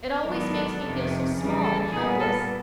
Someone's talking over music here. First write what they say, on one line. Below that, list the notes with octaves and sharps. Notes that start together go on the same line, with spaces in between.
"It always makes me feel so small and helpless."
G#2 D#3 F#3 B3 D4 A#4
A4
F2 C3 D#3
C#3 E3 G3
A4
A#2 G3 B3 G#4
A4